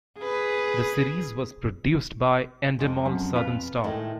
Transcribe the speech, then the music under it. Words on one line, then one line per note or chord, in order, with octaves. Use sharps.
The series was produced by Endemol Southern Star.
G#4 B4
F2 G#3
F#2
F4 B4
A2 D#3 G#3